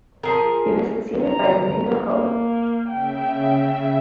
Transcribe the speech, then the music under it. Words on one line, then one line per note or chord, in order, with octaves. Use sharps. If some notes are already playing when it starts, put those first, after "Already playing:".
He was succeeded by Domingo Cullen.
F3 G#4 A#4
A#5
A#3
C#3 E5 G5